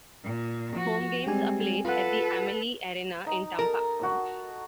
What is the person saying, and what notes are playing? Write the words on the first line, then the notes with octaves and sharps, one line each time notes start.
Home games are played at the Amalie Arena in Tampa.
A#2
F3 F#4
G3 G#3 C4 G4 G#5
F4 A4 B4 F#5
D#4
A4 A#4
F#4